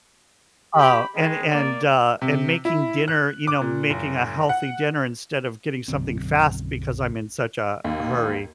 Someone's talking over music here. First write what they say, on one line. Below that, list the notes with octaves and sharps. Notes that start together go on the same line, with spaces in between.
uh, and and, uh, and making dinner, you know, making a healthy dinner instead of getting something fast because I'm in such a hurry.
G4 B5
D#3 G#3
A#3 D5
C3
E4
F#6
D6
A#2
F#1
F#5
B1 F#2 D3 C4
D#2